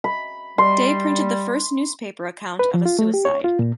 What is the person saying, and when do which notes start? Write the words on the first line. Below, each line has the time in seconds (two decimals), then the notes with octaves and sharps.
Day printed the first newspaper account of a suicide.
0.04 B5
0.58 G3 C6
2.59 B4
2.74 F3
2.86 F4
2.99 A3
3.14 G4
3.25 C#5
3.44 F4
3.59 A#2